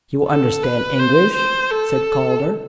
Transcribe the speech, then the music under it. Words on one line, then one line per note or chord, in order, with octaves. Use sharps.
"You understand English?" said Calder.
A4
B4
C5
C5
A4